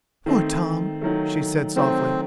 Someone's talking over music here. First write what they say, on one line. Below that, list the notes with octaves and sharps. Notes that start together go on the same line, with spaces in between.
"Poor Tom!" she said softly.
D#3 A3 C4
D#3 F#3 A3
D#3 F#3 A3 C4